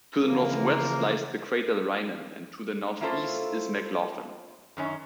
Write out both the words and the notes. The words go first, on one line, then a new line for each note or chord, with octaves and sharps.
To the northwest lies the crater Rynin and to the northeast is McLaughlin.
C#3 E3 F3 A#3
A#3 C#4 E4 F4 A4 C5
F#2 D#3 C#4